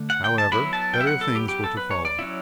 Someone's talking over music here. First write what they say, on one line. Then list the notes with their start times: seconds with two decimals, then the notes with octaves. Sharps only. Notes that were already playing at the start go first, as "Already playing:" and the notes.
However, better things were to follow.
Already playing: D3 A3
0.10 F#5
0.24 G5
0.38 A5
0.52 F#3 B3 E4 B5
0.73 A5
0.94 G5
1.01 E5
1.07 F#5
1.21 A4
1.36 G4
1.49 G4
1.64 A4
1.77 B4
1.91 C#5
2.05 D5
2.19 F#3 C#4 E4